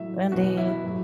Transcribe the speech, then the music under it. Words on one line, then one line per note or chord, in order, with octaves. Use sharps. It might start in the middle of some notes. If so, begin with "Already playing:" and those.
And the
Already playing: A2 F#3 E5
E2 B2 F#3 F#4
E4
A2 F#3